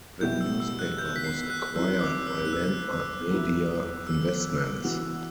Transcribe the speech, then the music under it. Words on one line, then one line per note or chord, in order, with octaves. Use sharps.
The newspaper was acquired by Landmark Media Investments.
B2 G3 B3 E4 G4 G6
E6
E6
F#6
G6
B6
C7
F#6
F#3 C4 E4 E6
D6
E6
F#6
E6
F#3 B3 E4
E6
E3 B3 F#4